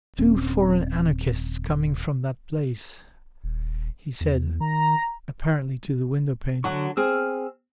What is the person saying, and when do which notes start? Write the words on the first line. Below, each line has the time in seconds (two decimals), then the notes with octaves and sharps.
"Two foreign anarchists coming from that place," he said, apparently to the window-pane.
0.18 D#1 C4 C#4
3.44 D#1
4.21 E2
4.60 D#3 A#5
6.64 D3 F#3 F#4 A5 C#6
6.97 C4 G#4 E6 F6